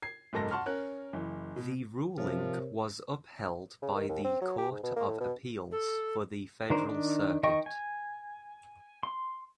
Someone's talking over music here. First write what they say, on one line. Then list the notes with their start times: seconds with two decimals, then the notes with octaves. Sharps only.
The ruling was upheld by the Court of Appeals for the Federal Circuit.
0.02 G#6 C7
0.33 F#1 B1 G#2 A4 A#4 A#6
0.51 F#5 A5 C6 C#6 F6
0.66 C#4 A#4 F#6
1.13 F#1 E3
1.56 B2
2.18 C3 F3 A#4 C#5
3.82 C#3
3.95 D#3
4.09 D#2
4.24 C4
4.41 F#3
4.58 G4
4.71 G#2
4.83 B2
4.96 A#3
5.08 A2
5.20 B2
5.71 A4
6.70 D#3 D4 A#4 C5
6.85 D#3 D4
7.43 D#3 D#5 G5 C#6
7.66 G#5
9.03 C6